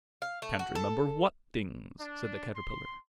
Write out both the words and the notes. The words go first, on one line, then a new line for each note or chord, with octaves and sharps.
'Can't remember WHAT things?' said the Caterpillar.
F5
A3
F#4
A4
D4
C6